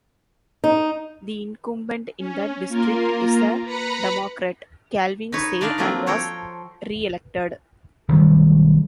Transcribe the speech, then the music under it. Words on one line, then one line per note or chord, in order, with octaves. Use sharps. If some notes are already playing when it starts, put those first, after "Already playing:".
The incumbent in that district is a Democrat, Calvin Say, and was reelected.
D#4
C#4
A#3 F4 A#4
B4 A#5 B5 A#6 C#7
D#4 B4 C#5
D4 D#4 D5 F5
F3 F#3 A3 A#3 C4 D4
A4 C5 C#5 G5 A#5
B1 D#3 G3 A3